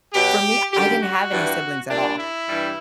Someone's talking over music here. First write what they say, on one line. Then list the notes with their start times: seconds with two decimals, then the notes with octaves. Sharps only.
for me, I didn't have any siblings at all.
0.14 B2 F#3 G4
0.72 F#2 D3 G3 G4
1.01 F#4
1.30 G2 E3 G3
1.89 A#2 G3 D4
2.19 E4
2.48 G2 E3 G3